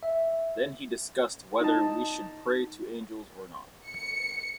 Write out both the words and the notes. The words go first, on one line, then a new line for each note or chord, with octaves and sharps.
Then he discussed whether we should pray to angels or not.
E5
D#4 A5
C#7